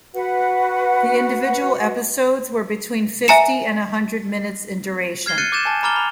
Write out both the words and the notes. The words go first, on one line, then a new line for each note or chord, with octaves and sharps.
The individual episodes were between fifty and a hundred minutes in duration.
F#4 B4 F#5
E5 G#5 A#5 C#7 E7
F6 G#6 C7 G7
F#6 A6 C#7 D#7
D6 G6 A6 E7
G#5 A5
A#5 B5 D6 F6 A6 G7
B5